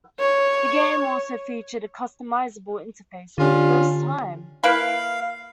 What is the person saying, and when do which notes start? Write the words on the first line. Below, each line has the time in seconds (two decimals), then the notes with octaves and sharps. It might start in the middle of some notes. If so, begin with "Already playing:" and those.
The game also featured a customizable interface for the first time.
0.19 C#5
3.38 D3 C#4 D4 F4 G4
4.64 A#3 E4 B4 F5